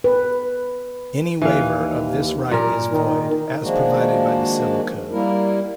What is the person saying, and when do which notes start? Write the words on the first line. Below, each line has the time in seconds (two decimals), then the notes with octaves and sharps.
Any waiver of this right is void, as provided by the Civil Code.
0.04 B4
1.42 D#2 E3 F5
2.51 A#2 A#4
2.91 D#3
3.63 D#3 F3 G#3 A#3 D4 F#4
5.12 G3 A#3 E4 A#4